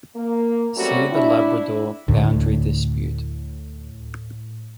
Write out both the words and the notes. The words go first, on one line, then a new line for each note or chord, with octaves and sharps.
See The Labrador boundary dispute.
A#3
F#3 G3 A3 C4 C#4 F#4
D4 E4
D2 A2